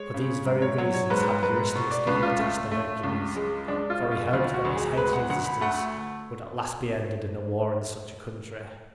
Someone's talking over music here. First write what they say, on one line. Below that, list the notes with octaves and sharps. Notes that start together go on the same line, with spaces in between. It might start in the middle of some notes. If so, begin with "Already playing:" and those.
For these very reasons had Eurystheus given the task to Hercules, for he hoped that his hated existence would at last be ended in a war in such a country.
Already playing: G#3 C#5
C#3
G#2
C#5
F#3 C#5
C#5
G#2 B4
G#2 B4
B2
D5
C#2 B4
F4
A3
A3
C#2
G#3
G#3 D4
F4
B2
F4
D2 F4
F#4
D2
G#4
G#3 B4
F#5
D2 F#5
B5
A3 F#5